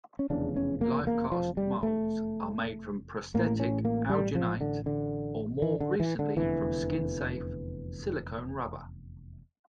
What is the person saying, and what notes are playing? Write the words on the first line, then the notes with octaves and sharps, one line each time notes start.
Lifecast molds are made from prosthetic alginate or more recently, from skin-safe silicone rubber.
C#4
F1 E2 C#3 D4
C#4
A#3
A#3
F3
G3
A3
A1 A2 A#3
C#4
A#3
G3
F3
D3
D3
E3
D3
E3
D3
F1 E2 D3 E3